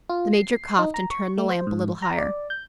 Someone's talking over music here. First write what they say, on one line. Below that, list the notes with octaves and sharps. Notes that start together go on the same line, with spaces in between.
The Major coughed and turned the lamp a little higher.
F4
C7
D#4
A#5
C#6
A3
C5
G#2
A#5
D5
G6